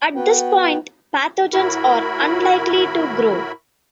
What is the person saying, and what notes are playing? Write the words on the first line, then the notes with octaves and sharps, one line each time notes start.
At this point pathogens are unlikely to grow.
B3 F#4 B4 G5
A2 E4 F#4 A#4 B5